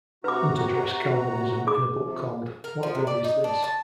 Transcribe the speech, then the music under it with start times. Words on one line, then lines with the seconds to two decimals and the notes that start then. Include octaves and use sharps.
Hunt addressed Calvinism in a book called What Love is This?
0.24 C3 F#4 B4 A#5 D6
1.67 G#4 D6
2.03 C3 F3
2.64 A#4
2.83 F3
2.95 C3
3.07 D5
3.24 D#4
3.44 D4
3.64 A5